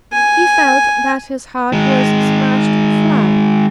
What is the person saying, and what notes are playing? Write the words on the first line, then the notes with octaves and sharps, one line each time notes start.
He felt that his heart was smashed flat.
G#5
D#3 G#3